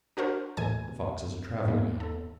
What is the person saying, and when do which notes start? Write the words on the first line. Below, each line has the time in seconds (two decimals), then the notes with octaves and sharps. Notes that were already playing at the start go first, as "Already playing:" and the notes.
The fox is a travelling animal.
0.17 D4 F#4 A#4 C5
0.57 D#2 A2 E3 G#5 G#6
1.68 G#2 A#3
2.00 A4